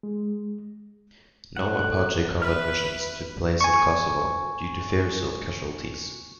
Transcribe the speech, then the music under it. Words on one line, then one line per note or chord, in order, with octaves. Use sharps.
No Apache combat missions took place in Kosovo due to fears of casualties.
G#3
G#2 A3 F#5
A#3
B4 E5 F6
G#5 C#6